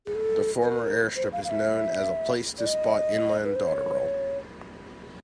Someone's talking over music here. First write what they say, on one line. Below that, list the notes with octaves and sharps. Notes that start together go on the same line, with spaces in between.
The former airstrip is known as a place to spot inland dotterel.
G#4
A4
B4
A#4
C5
F5
F5
E5
D5
D#5
B4
C5
C#5